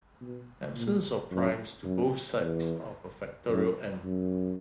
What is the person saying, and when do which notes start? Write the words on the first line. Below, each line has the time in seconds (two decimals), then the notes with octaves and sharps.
Absence of primes to both sides of a factorial "n"!
0.21 B2
0.75 A#2
1.31 F#2
1.85 F#2
2.40 E2
3.49 F#2
4.05 F#2